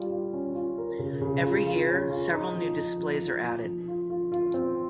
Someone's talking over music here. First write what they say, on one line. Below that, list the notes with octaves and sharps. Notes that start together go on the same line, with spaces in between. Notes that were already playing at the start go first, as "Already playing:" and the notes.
Every year, several new displays are added.
Already playing: G3 F4
F4
C#4
F4
A#4
C#3
C#3
F4
F4
C#4
F4
D#4
F3
D#4
F3
F3
F3
F3
F4
F4
F4
C4